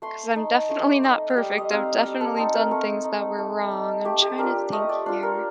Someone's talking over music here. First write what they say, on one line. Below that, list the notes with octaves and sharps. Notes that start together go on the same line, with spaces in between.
'cause I'm definitely not perfect. I've definitely done things that were wrong. I'm trying to think here.
A3 C6
D#4
A3 C6
D6
D#4 D#5
F5
G3 G5
D#5
C4 D#4 F5
G3 D#5
A4
C4 D#4 A4
A#4
A3 A4
D#4
A3
D#4
A3 G4
G4
D4 F4 A#4
A3 D#5
D5
D4 F4 C5
A#4